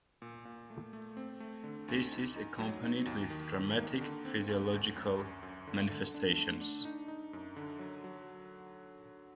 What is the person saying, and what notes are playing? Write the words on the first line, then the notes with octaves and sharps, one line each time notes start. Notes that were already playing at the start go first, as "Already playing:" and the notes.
This is accompanied with "dramatic physiological manifestations".
A#2
A#2
A3
A3
C4
A3
D3
D2
D#4
D#4
F#3
D#4
D#2
D#3
D#3
A#3
D3
C4
D2
D2
F#2
F#2
F#2
D3
D3
D4
A3
D4
D#4
D#4
F#2
D3
F#3
F#3